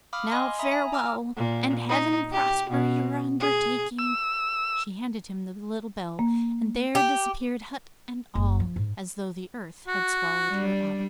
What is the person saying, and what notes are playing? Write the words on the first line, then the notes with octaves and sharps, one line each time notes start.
Now farewell, and heaven prosper your undertaking.' She handed him the little bell, and there disappeared hut and all, as though the earth had swallowed her up.
F5 B5 D6 D#6 F6
D#5 G#5 C6
E5 A#5 B5 D#6
G#5
A#5 D6 E6 F6
A#2
D#4
G4
B2
G#4
E6
A#3
G4
F#1
F3
G#2
F#4
G3 D4